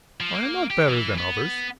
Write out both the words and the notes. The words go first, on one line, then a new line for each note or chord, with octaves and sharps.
I am not better than others.
F3
A#3
G4
E3
B3